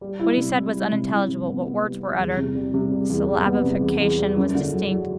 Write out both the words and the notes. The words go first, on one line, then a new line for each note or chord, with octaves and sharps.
What he said was unintelligible, but words were uttered; the syllabification was distinct.
G3
E4
C3
G3
G3
C3
E4
C3
B3
B3
G3
G3
E2
C3
G3
C3
G3
E2
G3
B3
C3
E2
E2
G3
F#2
D3
F#3
F#3